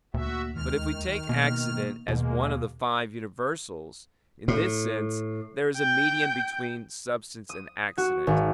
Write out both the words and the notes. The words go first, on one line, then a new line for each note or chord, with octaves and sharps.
But if we take accident as one of the five universals, in this sense there is a medium between substance and accident.
D2 A#2 F#4 E5
D#2 D#3 G#3 F6
B2 A#3 B3
D#2 B2 G#3 A#3
A2
G5
D#6
F#4
G#1